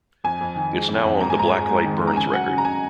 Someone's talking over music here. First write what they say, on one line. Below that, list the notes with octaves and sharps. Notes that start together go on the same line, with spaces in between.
It's now on the Black Light Burns record.
F2 G#5
F2
D#3
G#3
F2
F2
G#2 A#5
G#5
G#2 A#5
G#3
G#2
D#3
G#3
A#5
C#3 G#5
F#3 F#5
C#3
A#5
C#3 G#5